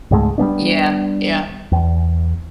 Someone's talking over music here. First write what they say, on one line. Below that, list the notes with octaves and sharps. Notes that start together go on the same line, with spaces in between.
Yeah, yeah.
C#2 G#2 G#3 A3
G3 A3 B3 D4
E2